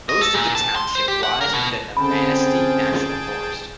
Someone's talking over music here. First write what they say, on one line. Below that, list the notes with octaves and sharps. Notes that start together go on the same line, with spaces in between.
Most of the township lies within the Manistee National Forest.
D#5
A4
A#2
A5
C6
C5
G4
F#5
A#4
B2
D3 C4 C#4 G#4 G5 A5 B5